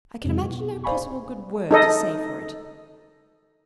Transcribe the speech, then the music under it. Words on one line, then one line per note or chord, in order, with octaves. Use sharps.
I can imagine no possible good word to say for it.
F2 G#2 C3 F#3 G#3
B2
C5 D5 F5 G#5 B5 C#6
D#4 A4 D#5